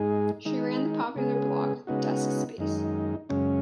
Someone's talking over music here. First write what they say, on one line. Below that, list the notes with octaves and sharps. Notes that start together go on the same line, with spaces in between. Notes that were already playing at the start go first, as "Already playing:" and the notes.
She ran the popular blog, Desk Space.
Already playing: G#2 G#3 D#4 G#4
D#3 G#3 D#4
C#3 G#3 B3 G#4
C#3 G#3 B3 D#4 F#4
F#2 D#3 G#3 D#4
F#2 C#3 G#3 C#4